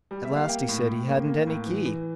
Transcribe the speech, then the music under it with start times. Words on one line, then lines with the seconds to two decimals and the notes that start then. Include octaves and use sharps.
At last he said he hadn't any key.
0.11 G3
0.25 E5
0.30 A#3
0.36 F5
0.49 A#3 G5
0.69 A2
0.88 A2
1.08 A#3
1.27 A#3
1.47 A2
1.66 E3
1.86 E3